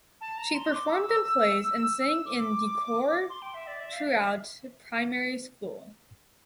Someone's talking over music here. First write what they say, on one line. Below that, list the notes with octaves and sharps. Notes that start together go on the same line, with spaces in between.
She performed in plays and sang in the choir throughout primary school.
A5
A#5
C6
D6
E6
E6
E6
D6
C6
G5
E5
D5
E5
F5
E5